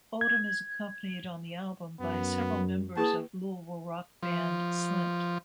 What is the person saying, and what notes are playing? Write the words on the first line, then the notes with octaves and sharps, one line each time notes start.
Oldham is accompanied on the album by several members of Louisville rock band Slint.
G#6
F#2 B3
A#3 E4 G#4 B4 A5
F3